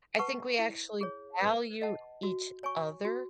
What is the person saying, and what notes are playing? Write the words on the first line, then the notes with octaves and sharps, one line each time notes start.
I think we actually value each other
B4 F#5 A5 C#6
E4
G#4 C#5
B4
D#5 F#5 A5
F#4
C#5 G#5 C#6
F#4